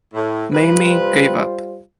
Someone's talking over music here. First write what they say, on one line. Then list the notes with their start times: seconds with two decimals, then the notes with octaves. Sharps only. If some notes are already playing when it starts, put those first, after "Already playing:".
Mamie gave up.
0.14 A2
0.51 C3 G3 F4 B4 C5